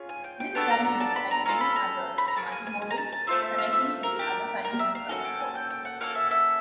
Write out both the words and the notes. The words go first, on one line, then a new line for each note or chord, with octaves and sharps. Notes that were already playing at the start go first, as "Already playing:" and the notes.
This terminal, like many others, is multimodal, connecting to other kinds of transport.
Already playing: C#4 F4 G#4
G#5
G5
G5
B3 D4 F#4 A4 A5
A#5
A#5
A5
B5
A#5
C#4 F4 A4 A#5
B5
A#5
B5
A#5
A#3 C#4 G#4 A5
G#5
G#5
G#5
A#5
A5
A5
A3 C4 F4 A4 E5
E5
F5
E5
A#4
D4 G4
A#4
E5
F5
A#3 C#4 F#4 A4
G5
G#5
G5
G5
F#5
A#3 C#4 F#4 A4 F5
E5
E5